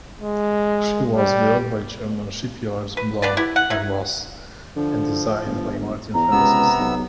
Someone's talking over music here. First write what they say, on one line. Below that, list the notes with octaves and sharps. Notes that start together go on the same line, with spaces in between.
She was built by German shipyards Blohm and Voss and designed by Martin Francis.
G#3
G3
B4
B3 D4 B4 D5
B3 E4 G4
F#5
D#4 E4
D3 F3
G1
E2 A#5
C#2 C3 B3 E6
B1